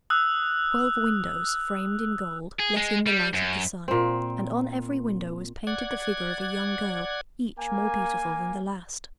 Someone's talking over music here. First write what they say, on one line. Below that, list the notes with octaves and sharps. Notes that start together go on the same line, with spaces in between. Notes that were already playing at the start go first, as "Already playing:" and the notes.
Twelve windows framed in gold let in the light of the sun, and on every window was painted the figure of a young girl, each more beautiful than the last.
D#6 E6 F#6
G#4
G#3
G3
F#2
A#2 C4
D5 F#5 G#6
A#3 G#5